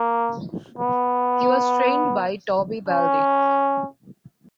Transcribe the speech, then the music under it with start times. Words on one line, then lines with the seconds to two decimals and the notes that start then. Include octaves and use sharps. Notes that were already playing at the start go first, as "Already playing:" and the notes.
He was trained by Toby Balding.
Already playing: A#3
0.79 B3
2.89 C#4